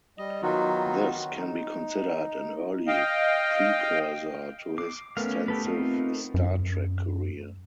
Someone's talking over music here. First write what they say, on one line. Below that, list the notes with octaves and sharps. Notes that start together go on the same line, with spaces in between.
This can be considered an early precursor to his extensive "Star Trek" career.
G3 D#5
D#3 F#3 B3 D#4 F4 F#4
D#4
D#5 F5 G5
D6 C7
A3 B3 C#4 A#4 F5
G4 A4 B4
C4 D#4 F4
F#2